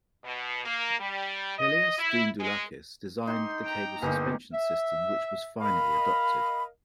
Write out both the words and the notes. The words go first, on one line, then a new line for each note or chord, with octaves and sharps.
Helias Doundoulakis designed the cable suspension system which was finally adopted.
B2
A#3
G3
D#5
E4
G#3
D#4 G4 C6
G5 A#5
G1 A#3 D#4 G4 G#4
E5
A#4 D#5 F5 B5